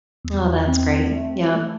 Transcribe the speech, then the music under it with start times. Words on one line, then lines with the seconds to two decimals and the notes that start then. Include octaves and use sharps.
Oh, that's great, yep,
0.25 E2
0.68 C4
1.11 A3
1.55 A3